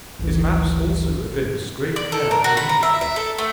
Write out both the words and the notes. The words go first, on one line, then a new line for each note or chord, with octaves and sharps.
His maps also evince great care and industry.
G#1 D2 E3
D5
A4
A#4
F#4
B5
A#5
E5
E5
A4
A3